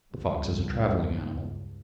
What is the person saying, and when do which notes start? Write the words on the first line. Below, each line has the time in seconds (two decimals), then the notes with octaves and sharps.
The fox is a travelling animal.
0.13 C#2 G2